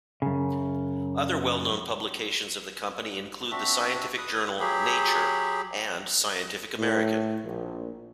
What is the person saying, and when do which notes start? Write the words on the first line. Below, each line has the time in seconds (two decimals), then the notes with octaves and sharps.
Other well-known publications of the company include the scientific journal "Nature" and "Scientific American".
0.22 F#2 C#3
3.51 C4 D4 F#4 E5
4.17 B4 D#6
4.60 F#3 G4 G#4 B5
6.78 A2
7.44 A#1